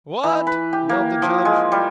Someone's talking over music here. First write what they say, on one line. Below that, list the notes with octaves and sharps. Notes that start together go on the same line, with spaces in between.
"What!" yelled the Judge.
E3
B4
G4
A#3
F3
G#3
G3